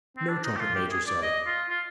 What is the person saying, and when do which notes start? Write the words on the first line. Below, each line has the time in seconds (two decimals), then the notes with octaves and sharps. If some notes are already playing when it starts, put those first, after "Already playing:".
'No, trumpet-major, sir.
0.17 C4
0.28 D4
0.44 D#4
0.56 G4
0.60 F4
0.75 G4
0.91 G#4
1.07 D5
1.22 D#5
1.46 F4
1.69 F4